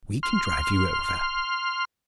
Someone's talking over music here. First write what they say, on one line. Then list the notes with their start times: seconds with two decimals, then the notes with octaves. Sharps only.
We can drive you over.
0.23 C6 F6